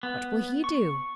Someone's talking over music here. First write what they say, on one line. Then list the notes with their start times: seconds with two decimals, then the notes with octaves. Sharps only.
"What will he do?"
0.03 B3
0.64 C#6